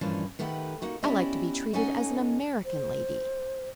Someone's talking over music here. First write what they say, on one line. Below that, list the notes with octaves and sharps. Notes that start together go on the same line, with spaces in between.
"I like to be treated as an American lady."
G2 A#2 E3 F3 C#4 D4
D#3 A3 G4 B4 F#5
A#3 D#4 F#4
B3 C#4 E4 G4 D5 D#5
C#4 D#4 A4 D#5 F#5 G#5
C5